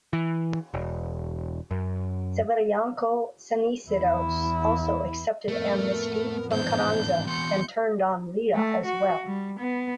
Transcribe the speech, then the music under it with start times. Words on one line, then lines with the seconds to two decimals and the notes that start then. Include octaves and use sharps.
Severianco Ceniceros also accepted amnesty from Carranza and turned on Villa as well.
0.13 E3
0.74 E1
1.71 F#2
3.88 E2 E4
5.48 F2 A2 A3 B3 A#4
6.50 G#2 E3 D4 C5 G6
7.27 E2 F#4 C6 G6 C#7
8.54 A3
8.86 F#4
9.26 G3
9.59 B3